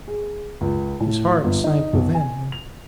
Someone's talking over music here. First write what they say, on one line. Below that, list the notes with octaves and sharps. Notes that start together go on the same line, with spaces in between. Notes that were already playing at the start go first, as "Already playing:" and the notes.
His heart sank within him.
G#4
C#2
A2
G1
D#4
B1
G#5
F7